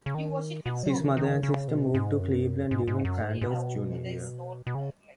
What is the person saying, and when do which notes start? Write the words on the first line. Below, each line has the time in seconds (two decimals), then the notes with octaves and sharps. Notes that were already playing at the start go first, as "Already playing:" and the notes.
His mother and sister moved to Cleveland during Crandall's junior year.
0.06 C#3
0.15 D#3
0.66 B2
0.83 F#3
1.01 D#3
1.17 D#3
1.43 C#3
1.68 B2
1.94 G#2
2.20 F#2
2.71 G#2
2.88 G#2
3.05 F#2
3.21 G#2
3.41 G#2
3.47 B2
4.67 B2
4.75 C#3